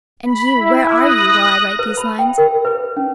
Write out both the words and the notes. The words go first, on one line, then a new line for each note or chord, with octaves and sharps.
And you, where are you, while I write these lines?
B5
E4
D#6 F#6 A#6
B4
B5
G5
A#4
B4
C#4